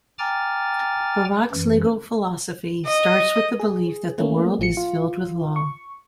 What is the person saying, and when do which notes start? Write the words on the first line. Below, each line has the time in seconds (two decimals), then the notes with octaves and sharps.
Barak's legal philosophy starts with the belief that "the world is filled with law".
0.19 G5 G#5 A#5 D6 F6 A6
1.52 F#2 E3
2.87 D#5
3.60 G#4
4.18 A3 A#3 C#4
4.59 A1 F3 C#7
4.77 F4
5.56 C#6